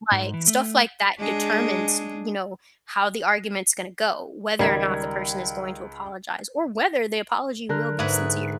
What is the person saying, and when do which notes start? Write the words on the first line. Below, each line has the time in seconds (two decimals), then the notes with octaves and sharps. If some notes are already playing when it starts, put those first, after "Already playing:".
Like, stuff like that determines, you know, how the argument's gonna go, whether or not the person is going to apologize or whether the apology will be sincere.
0.12 G#2
0.34 E3
0.47 A3
1.19 G#3 D4 G#4
4.59 C#2 D#3 G3 A#5 G#6
7.69 D3 A#4 F#6
7.99 G#2 G#4 B4 E5